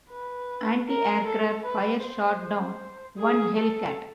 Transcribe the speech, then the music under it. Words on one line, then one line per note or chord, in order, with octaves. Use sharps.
Antiaircraft fire shot down one Hellcat.
B4
A#4
A4
B4
C5
G#4
A4